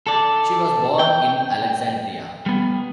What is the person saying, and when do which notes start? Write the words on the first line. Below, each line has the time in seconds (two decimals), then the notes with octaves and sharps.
She was born in Alexandria.
0.07 A4 D5
0.99 G5
2.46 G3 B3